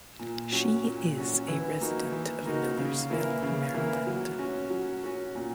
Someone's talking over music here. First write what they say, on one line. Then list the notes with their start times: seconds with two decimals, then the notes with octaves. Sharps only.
She is a resident of Millersville, Maryland.
0.19 A#2
0.52 F#3 C#4 F#4
0.84 A#2
1.16 F#3 C#4 F#4
1.48 E3
1.80 A#3 D#4 F#4
2.12 E3
2.46 A#3 D#4 F#4
2.78 C#3
3.10 E3 A#3 E4
3.42 C#3
3.74 E3 A#3 E4
4.07 F#3
4.39 C#4 F#4
4.70 F#3
5.03 C#4 F#4
5.35 A#2